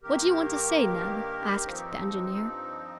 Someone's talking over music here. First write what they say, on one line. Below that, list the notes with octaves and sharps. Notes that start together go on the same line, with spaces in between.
"What do you want to say, Neb?" asked the engineer.
G2 D#3 A#3 G4 A#4
G2 F3 C4 D#4